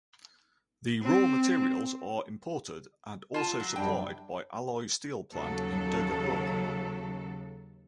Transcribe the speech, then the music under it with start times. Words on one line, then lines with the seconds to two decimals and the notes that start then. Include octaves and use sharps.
The raw materials are imported and also supplied by Alloy Steel Plant in Durgapur.
1.02 C4
3.34 F4 A5
3.60 F#3
3.76 F#2 G3 D4 G5
5.32 D#2 C#3 F#3 A4